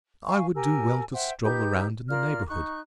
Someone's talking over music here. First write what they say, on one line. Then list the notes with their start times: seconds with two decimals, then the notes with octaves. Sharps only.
I would do well to stroll around in the neighborhood.
0.26 F5 G#5 C#6
0.55 G4 A#4 G#5 E6
1.13 C5 E5 F#5 G5
1.43 D#4 G4 B4 G6
2.09 F4 A#4 D5 F6
2.49 D#4 C#6 F#6